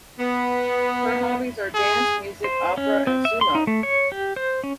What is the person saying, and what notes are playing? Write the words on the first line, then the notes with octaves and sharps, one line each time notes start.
Her hobbies are dance, music, opera, and sumo.
B3
G#4
C5
C#4
C4
E5
C6
D#4
A3
C#5
G4
C5
C#4